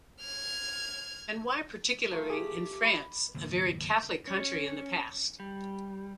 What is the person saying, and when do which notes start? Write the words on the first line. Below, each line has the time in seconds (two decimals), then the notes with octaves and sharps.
And why particularly in France, a very Catholic country in the past?
0.21 F6 G#6
2.12 A3 F4 A#4
2.30 G4 G#4
2.82 D#5 B5
3.35 F#1 D#2 G#2 C#3
4.27 C#4
5.40 G3